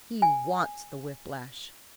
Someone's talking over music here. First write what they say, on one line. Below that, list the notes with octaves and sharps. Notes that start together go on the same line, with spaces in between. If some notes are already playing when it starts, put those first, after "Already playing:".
He wants the whiplash.'
G#5